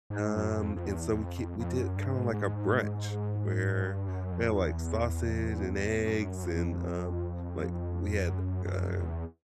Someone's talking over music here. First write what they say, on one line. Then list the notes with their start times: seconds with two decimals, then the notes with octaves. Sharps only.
um, and so, we k we did it kinda like a brunch, where we had, like, sausage and eggs and, um, like, we had, um,
0.10 G#2
0.36 F#2
0.61 F2
0.76 F2
0.85 E2
1.12 E2
1.22 F2
1.59 F2
1.78 F#2
1.96 G2
2.16 G#2
2.33 G#2
3.82 G2
4.08 F#2
4.32 F2
4.56 E2
6.06 F#2
6.43 F2
8.29 F#2
8.66 F#2
8.99 F2
9.04 E2